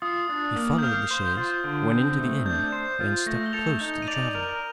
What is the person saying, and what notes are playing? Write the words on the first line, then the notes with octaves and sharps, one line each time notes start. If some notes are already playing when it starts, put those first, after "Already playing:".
He followed the chaise, went into the inn, and stuck close to the traveller.
F4 D#6
D4
A#3
G6
F5 F6
C5
F4
D3
C4
A3
D4 G6
C5
F4
A3 A#6
G7
A4 F7
D#4
D#7
D5 F7
A#4